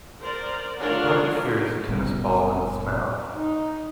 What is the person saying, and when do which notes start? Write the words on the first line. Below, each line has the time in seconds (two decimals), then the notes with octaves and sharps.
A puppy carries a tennis ball in its mouth.
0.21 A#4 C5 D5
0.78 A3 D4 F4 A#4 C#5 F#5
1.89 F#1 A#2 G3 B3
3.34 D#4